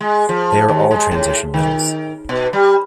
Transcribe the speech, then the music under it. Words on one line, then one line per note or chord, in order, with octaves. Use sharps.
They are all transition metals.
G#3
F3
D#2
G#3
A2
D#3
B2
G3